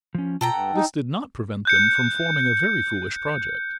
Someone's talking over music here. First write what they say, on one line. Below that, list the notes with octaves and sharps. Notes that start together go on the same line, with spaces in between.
This did not prevent them from forming a very foolish project.
F3 C#4
B2 F4 A4 G5 A#5
G2 F#5
D#4
F#6 G6 C#7